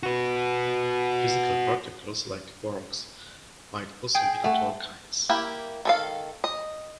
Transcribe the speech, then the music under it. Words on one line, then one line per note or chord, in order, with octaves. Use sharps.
Physical particles, like quarks, might also be natural kinds.
F#4 B4
G#4 G5
A3 F#5
A#3 E4 G4
D#3 A4 F5
D#5